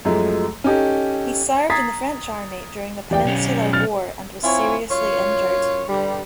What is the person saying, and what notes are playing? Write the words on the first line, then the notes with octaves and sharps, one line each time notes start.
He served in the French army during the Peninsular war and was seriously injured.
F#2 F3 F#3 G#3 A3
C#4 D#4 G4 A4
A#5 D#6 G#6 A6 B6 C7
E2 G4 D5 G5
B1 C#4
F6 A6 F7
C4 E4 F4 C#5 G#5
F#2 F4 C#5
G2 D3 G3